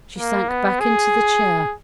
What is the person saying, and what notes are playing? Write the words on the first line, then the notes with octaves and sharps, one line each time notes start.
She sank back into the chair.
A#3
B3
G#4